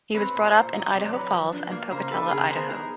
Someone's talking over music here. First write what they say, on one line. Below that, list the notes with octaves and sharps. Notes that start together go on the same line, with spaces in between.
He was brought up in Idaho Falls and Pocatello, Idaho.
C4 B4 C#5
A#2
C5 D5
A#2
F#3 C#5 D#5
C3 C5 D5
F#3 B4 C#5
F3
D4
A#3
C#3 A#4 C5
D4 A4 B4
C#3 G#4 A#4
B3 A#4 C5
D#4 G#4 A#4